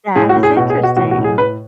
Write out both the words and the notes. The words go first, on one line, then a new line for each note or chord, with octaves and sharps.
That is interesting.
A2 G#4
F#4
A2
G#4
B2 F#4
G#4
B2
F#4
A2 F#4
F#4
A2
G#4
A2 B4